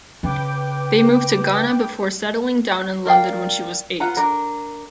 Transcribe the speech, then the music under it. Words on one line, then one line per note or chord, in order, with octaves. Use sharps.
They moved to Ghana before settling down in London when she was eight.
C#3 B4 G5 D6
A#4 D5 F5 G5
F4 B4 F#5 A#5
D4 A#4